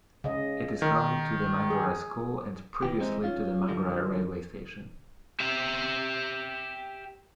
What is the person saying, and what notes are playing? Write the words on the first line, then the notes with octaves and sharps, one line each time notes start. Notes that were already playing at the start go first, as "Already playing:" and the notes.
It is home to the Mangaroa School and previously the Mangaroa Railway Station.
C#3 D#5
D#3
G#4
D#3 E3 G4
E3 G#3 C4 D#4
C#4 F4
D3 E3 F3 G3
G4 E5